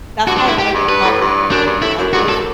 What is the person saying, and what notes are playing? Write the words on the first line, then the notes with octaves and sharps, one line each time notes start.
that's how I measure progress now. I just
G2 F#4
D4
E4
G4
G2
G2 B4
A2
G2
F#2 D4
G2
A2 E4
F#2
G2 F#4
F#2 A4